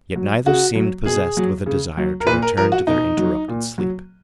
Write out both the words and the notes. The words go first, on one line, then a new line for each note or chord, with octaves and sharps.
Yet neither seemed possessed with a desire to return to their interrupted sleep.
F#3
C#3 F#4
F#3
B2 G#4
F#3
C#3
F#3
A#4
A#2 B4
A#4
F3 A#4
F#4
B2 D#4
F#3
A#2
F#3